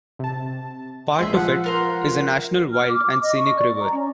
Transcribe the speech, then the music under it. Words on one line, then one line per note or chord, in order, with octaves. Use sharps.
Part of it is a National Wild and Scenic River.
C3 A5
A#1 G#3 G#4 C5 E5 C6
F3 F#5
F4 A#4 C5
F6
D6
D6
D#5
C#6
D5
A#5
C#4